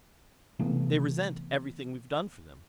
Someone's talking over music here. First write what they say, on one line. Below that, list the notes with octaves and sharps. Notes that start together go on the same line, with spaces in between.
"They resent everything we've done for them."
C3 E3 A3 B3